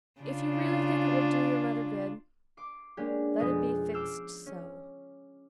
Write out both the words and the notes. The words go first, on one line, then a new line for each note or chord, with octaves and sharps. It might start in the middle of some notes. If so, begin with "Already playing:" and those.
If you really think it will do your mother good, let it be fixed so.'
C#3 D4 F4
C6 D6
G#3 A#3 C#4 D4 G4
F2 B2 G#3 B4 D#6
D6 E6 F6 G6 C7
C#4